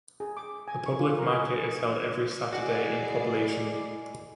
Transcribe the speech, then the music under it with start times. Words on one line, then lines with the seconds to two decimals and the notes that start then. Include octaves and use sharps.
The public market is held every Saturday in Poblacion.
0.20 G#4
0.37 D6
0.68 G#5
0.86 C#6
0.99 F4
1.17 A#4
1.32 G#5
2.53 E4 F#4 G#4 D5 D#5 F#5 G#5